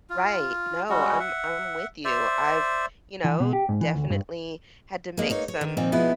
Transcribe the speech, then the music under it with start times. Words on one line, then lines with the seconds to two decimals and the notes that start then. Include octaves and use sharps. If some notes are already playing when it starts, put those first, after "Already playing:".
Right, no, I'm I'm with you, I've, you know, d definitely had to make some
0.10 F4
0.89 G3 G#3 C#4 F#4
1.20 E5 F#5
2.05 C5 D5 E5
3.24 E3
3.40 B2
3.53 G4
3.69 G#2
3.81 E3
3.95 D2
4.10 G2
5.17 G#3 A#3
5.30 A#3 D#4 C#5
5.48 C#5
5.61 D#3
5.77 A#2 D#3 F3 C4 D#4
5.92 B2 F3 G#3 B3 E4